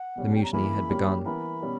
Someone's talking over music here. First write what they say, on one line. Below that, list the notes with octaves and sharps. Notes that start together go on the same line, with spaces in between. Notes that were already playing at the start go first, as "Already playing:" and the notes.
The mutiny had begun!
Already playing: F#5
B2 G3 C#4
G5
A#5
C#3 E3 A#3 E4 B5
G3 A#3 C#4 G4
E3 B3 E4 A#4 B5
B2 G3 C#4